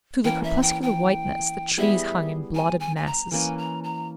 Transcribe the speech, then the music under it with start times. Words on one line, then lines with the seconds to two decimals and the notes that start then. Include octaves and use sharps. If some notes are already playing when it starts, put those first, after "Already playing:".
Through the crepuscular whiteness the trees hung in blotted masses.
0.24 E3 A#3 C#4 G5
0.44 E5
0.62 G5
0.83 G5
1.77 G3 B3 E4 G#4 E5
2.55 G#5
2.80 G#5
2.97 G#5
3.06 A#5
3.31 E3 A#3 C#4 G#5
3.58 A#5
3.84 A#5